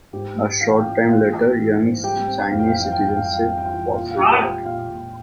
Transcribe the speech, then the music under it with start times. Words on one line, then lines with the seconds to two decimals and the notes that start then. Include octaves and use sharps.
A short time later, Yang's Chinese citizenship was revoked.
0.13 G#2 G4
0.37 G#2
0.61 E3 F5
0.71 G5
0.81 C#4 F4 F5
1.08 E3 F4 F5
1.32 E3
1.56 E3
1.80 G#2
2.03 G3 G4 G5
2.27 C4
2.51 F2 F5
2.59 G5
2.68 F5
2.75 E3 G5
2.84 F5
2.92 G5
2.99 F2 F5
3.08 G5
3.16 F5
3.22 G3 G5
3.33 F5
3.41 G5
3.46 C4 F5
3.58 G5
3.65 F4 F5
3.70 E3
3.93 A#2 F4 F5
4.11 F5
4.17 C#4 G4 G5
4.41 G#3 F4 F5
4.65 A#2 F4 F5
4.89 A#2